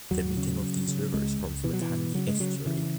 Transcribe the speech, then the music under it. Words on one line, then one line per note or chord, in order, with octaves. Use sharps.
The meeting of these rivers forms the Waitangi Estuary.
D#2 F#3
C#3
C#3
C#3
C#2 G#3
C#2
B2 E3
F#3
E3
B2
C#3 F#3
G#3
C#3 F#3
C#3 E3